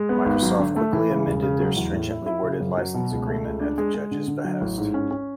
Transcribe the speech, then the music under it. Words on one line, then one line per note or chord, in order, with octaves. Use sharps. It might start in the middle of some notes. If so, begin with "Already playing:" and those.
Microsoft quickly amended their stringently worded license agreement at the judge's behest.
Already playing: G#3
B3
G#1
F#3
D3
A3
E3
C#3
E1
C#3
F#3
E2
A2
E4
E4
C#3
F#2
F#3
B2
C#2
A3
C#2
D4
G#3
G#3
D3
D3
F#3
A1
G#2
C#4
C#4